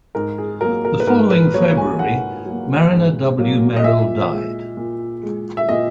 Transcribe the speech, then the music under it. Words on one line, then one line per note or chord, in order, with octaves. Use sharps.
The following February, Marriner W. Merrill died.
G#2 A#4
G#4
F#3 A#3 A#4
A#4
B4
G#2 A#4
B4
F#3 A#3 C#5
G#5
G#2 F#5
F#3 A#3
G#2
F#3 A#3
D#5
A#2 E5
G#3
A#2
G#3
E5
A#2 D#5